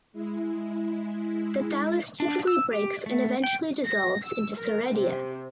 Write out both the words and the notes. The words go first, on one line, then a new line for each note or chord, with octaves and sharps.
The thallus typically breaks and eventually dissolves into soredia.
G#3 E4
D4
E6
G4
A3
G5
A#6
E6
A#4
C3